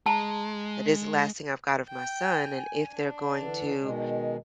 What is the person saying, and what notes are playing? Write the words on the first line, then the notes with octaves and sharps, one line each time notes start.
that is the last thing I've got of my son, and if they're going to
G#3 A5 A#5
G5
G#5
D4
D3 E3
B2 D#3 G#3